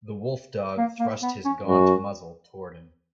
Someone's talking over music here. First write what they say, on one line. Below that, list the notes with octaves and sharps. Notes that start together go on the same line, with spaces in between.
The wolf-dog thrust his gaunt muzzle toward him.
A#3
A#3
B3
C#4
F#2 F#4